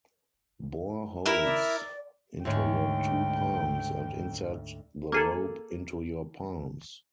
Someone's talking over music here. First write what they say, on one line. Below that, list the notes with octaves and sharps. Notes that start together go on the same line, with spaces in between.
Bore holes into your two palms and insert the rope into your palms.
E4 A#4 E5
D5
D2 G#2 C#5 G5
A#3 G#4 A4